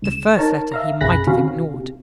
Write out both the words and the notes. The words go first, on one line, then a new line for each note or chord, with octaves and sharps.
The first letter he might have ignored.
C#2 E7
D#4 A#4 C#5 A5
E5 F5 A#5
B1 F#2 G#4 B5 F#6 A#6
C3 D#3 C4 C#4 F#4 F5
C3